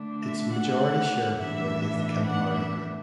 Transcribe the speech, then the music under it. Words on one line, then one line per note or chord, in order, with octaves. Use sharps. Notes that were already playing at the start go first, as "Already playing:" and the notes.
Its majority shareholder is the Campari Group.
Already playing: D3 A3 D4
E5
F#5
A2 E3 B3 D4 E5
F#5
E5